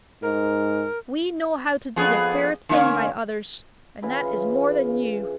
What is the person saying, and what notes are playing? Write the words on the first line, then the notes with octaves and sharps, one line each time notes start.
"We know how to do the fair thing by others--and that is more than you!"
G#2 A#4
F2 B3 G#4
D3 A#3 C#4
C#3 E3 F4 B5